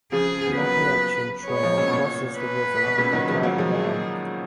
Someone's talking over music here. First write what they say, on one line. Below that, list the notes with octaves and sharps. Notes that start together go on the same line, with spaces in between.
The Appalachian Trail crosses the river on Watauga Dam.
C#3 F3 G#4
B3
F#3 A#3 B4
G#3 B3 C#5
F3 G#3
A#2 C#3
B2
A#2
B4
B2
A#2 C#3
D#3 F#3
F3 G#3
F#3 A#3
F3 G#3
G#4